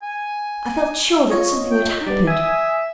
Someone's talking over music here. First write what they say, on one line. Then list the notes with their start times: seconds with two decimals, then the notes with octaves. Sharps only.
I felt sure that something had happened.
0.03 G#5
1.30 F4 C#5 D#5
1.72 G5
2.06 G3 B3 D5
2.27 E5 G#5 D#6